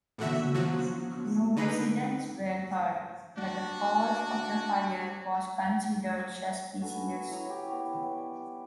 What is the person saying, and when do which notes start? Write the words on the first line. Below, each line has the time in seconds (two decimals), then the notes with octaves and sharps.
No residents were hurt, but the cause of the fire was considered suspicious.
0.18 A2 D3 F#4 E5
0.55 F3 F#3 F#4
1.56 D3 D#4 B4
3.37 D4 F#4
6.81 F#4 A4 B4 G#5
7.29 E4 C#5 A#5 D#6
7.46 C#4 G4
7.71 B3 C#5 B5
8.03 B3
8.19 G3